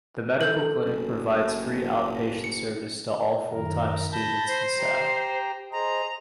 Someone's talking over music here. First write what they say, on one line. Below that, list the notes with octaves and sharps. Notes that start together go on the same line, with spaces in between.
The medical clinic provides free outpatient service to all full-time students and staff.
A4 G6 F#7
F#1
C#7
F#2 D#3 A#4
A5 B5 G6 A#6
C5
G4 G5 A#5
G#4 C5 D#5 A#5